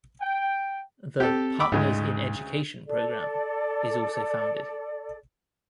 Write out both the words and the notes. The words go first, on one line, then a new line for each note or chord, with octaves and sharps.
The "Partners in Education" program is also founded.
G5
C4 G4 A4
B5 D6 E6
D2 G#2 C#3 G#3
A4 D5